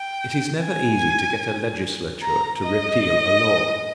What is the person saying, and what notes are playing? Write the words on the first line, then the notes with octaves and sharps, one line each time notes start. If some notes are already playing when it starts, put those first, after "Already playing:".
It is never easy to get a Legislature to repeal a law.
Already playing: G5
G#5
A#5
D#5